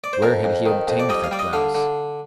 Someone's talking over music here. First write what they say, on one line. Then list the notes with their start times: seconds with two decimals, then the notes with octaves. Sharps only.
Where had he obtained that blouse?
0.04 D5
0.13 C5
0.22 F2 A#4
0.44 F2
0.66 D#3
0.88 F2
1.00 D5
1.09 G3 D#5
1.24 F5
1.31 G3 D5
1.39 D#5
1.53 D3 F5
1.75 D3